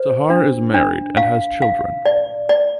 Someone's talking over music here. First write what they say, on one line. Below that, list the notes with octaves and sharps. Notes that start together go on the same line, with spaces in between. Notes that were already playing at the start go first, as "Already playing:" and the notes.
Sahar is married and has children.
Already playing: C5
D4
D4
F5
F5
D5
D5